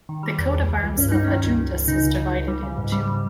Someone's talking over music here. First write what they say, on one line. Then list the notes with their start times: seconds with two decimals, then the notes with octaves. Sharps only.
The coat of arms of Adjuntas is divided in two.
0.09 D#3
0.23 G3
0.39 E2
0.53 C#2
0.69 G3
0.83 C#2
0.98 G2 C#4
1.12 G3 D#4
1.24 D#3 C#4
1.44 C#2
1.58 C#2
1.73 C#2
1.88 C#3 D#4
2.04 C#2
2.18 C#2
2.33 C#2
2.48 G3
2.63 C#3
2.78 G#2
2.92 G3
3.08 G3